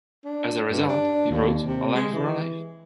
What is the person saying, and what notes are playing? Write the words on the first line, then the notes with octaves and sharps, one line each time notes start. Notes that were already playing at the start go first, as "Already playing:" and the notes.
As a result, he wrote A Life for a Life?
D4
G2
D4
D#2
C3
G#3
E3